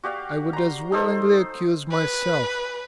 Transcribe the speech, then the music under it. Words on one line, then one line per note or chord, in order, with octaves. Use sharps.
I would as willingly accuse myself!
F#4 G4 D5 F5
A#5 C6
D#4 A4 C5 F#5
B4